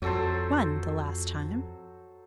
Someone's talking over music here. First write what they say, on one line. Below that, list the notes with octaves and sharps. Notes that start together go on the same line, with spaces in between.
"One, the last time."
F2 F#3 A4 C5